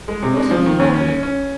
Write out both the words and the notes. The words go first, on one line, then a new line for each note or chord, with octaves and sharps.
What have you brought me?'
G#3
C3
G#3
F3
D#3
D#2
C#4
C#4
C#4